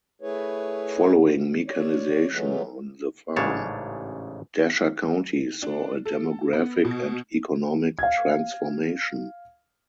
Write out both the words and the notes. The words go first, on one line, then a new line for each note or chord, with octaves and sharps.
Following mechanization on the farm, Desha County saw a demographic and economic transformation.
A3 E4 G#4 B4 C#5
C#5 D5
E3 F#3 G#3 A3 B3
A1 G#2 C#3 D4 C#5 A5
D4
A4
B3
B2
F5 G#6